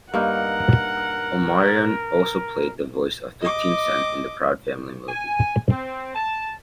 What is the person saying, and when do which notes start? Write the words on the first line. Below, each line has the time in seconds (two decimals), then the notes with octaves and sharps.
Omarion also played the voice of Fifteen Cent in The Proud Family Movie.
0.14 G2 A#3 D#4 A#4 F#5
3.41 D#5 D6
5.08 G#5
5.69 C4
6.15 A5